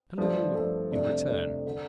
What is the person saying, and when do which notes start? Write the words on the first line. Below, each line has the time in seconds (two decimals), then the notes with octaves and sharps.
Halloo!' in return.
0.17 G2 F3 A3 D4 A4
0.55 G2 F3 A3 D4 A4
0.92 F2 C3 A3 D4
1.28 F2 C3 A3 D4
1.67 D3